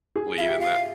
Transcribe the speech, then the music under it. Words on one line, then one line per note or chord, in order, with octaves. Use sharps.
lead in that
G#4
F4 E5 F5
G4
F5